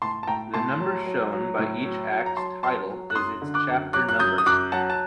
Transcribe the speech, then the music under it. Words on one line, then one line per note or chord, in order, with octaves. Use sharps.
The number shown by each Act's title is its chapter number.
A2 A5 C6
A5
A2 G5 A#5
A2 A5 C6
F#3
F#3
F#3
A2
F#3
F#3
A#5
F#3 A5 C6
F#3 A5 C6
F#3
F#6
F#2 C6 D#6
D3
D6 F#6
F#2
F#3 D6 F#6
F#6
F#2 D#6 G6
D#6
F#2 D6 F#6
F#3 F#5 A5
A5